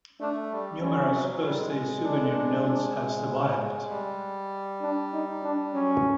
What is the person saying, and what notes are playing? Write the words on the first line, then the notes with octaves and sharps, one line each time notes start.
Numerous "first day" souvenir notes have survived.
A3 D4
G3
G3 C#4
F#3
F#3
G3
G#3
D4
G3
D4
D#4
D4
F#3 C#4